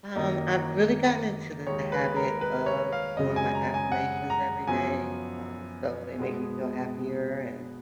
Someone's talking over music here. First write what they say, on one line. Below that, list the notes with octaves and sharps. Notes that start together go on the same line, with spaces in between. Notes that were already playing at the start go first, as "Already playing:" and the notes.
Um, I've really gotten into the habit of doing my affirmations every day, um, so they make me feel happier and,
F#2 D#3 A#3 D#5
D#2 D#3 G#3 C#5
B4
A#4
B4
C#5
F5
F#2 C#3 G#3 D#5
G#5
A#5
G#5
F#5
A#5
F#2 F3 B3 G#5
B2 G#3 B3